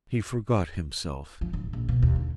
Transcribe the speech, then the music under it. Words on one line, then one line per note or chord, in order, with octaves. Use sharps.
He forgot himself.
F3
D1
A#1
B2
D#2
D3